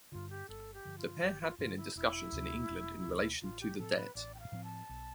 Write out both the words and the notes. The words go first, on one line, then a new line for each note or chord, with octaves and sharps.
The pair had been in discussions in England in relation to the debt.
G2 D3 F4
G4
G1 A4
G4
G2 D3 F3
F4
G1 G4
F4
G2 D3 F3 F4
E4
E1 E4
D2 C3
E1
D2 C3
A1 F4
G4
A2 F3 C4 A4
B4
A1 D5
G5
F5
A2 F3 C4
A5
B1